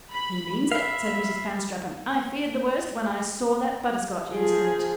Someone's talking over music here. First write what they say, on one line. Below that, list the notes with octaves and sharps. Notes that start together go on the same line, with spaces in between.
"He means it," said Mrs. Panstreppon; "I feared the worst when I saw that butterscotch incident."
B5
E5 F5 B5
F3 G#4